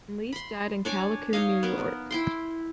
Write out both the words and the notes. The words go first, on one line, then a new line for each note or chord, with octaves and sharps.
Lease died in Callicoon, New York.
B5 C6
D4 C#5 G#5 D6
D#4 C#5 D#5 F5
B3 A#4
E4 G5 C6